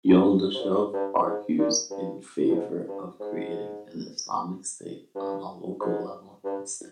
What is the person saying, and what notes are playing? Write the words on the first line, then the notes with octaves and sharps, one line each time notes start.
Yo'ldoshev argues in favor of creating an Islamic state on a local level instead.
C3
A#2
G2
G#2
A#2
G2
G2
G#2
G2
G#2
G2
G#2
G2